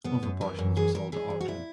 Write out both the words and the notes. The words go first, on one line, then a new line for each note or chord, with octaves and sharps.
Other portions were sold at auction.
F#2 B3
F#2
E3 A#4
F#2
E3 G#4
E3 A#4
E3 G#4
G#2
F#4
A#2 E4